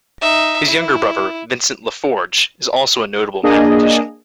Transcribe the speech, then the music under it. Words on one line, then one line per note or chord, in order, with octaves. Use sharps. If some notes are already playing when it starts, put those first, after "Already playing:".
His younger brother Vincent Lafforgue is also a notable mathematician.
D#4 E5
E4
A#3 D4 G#4 D#5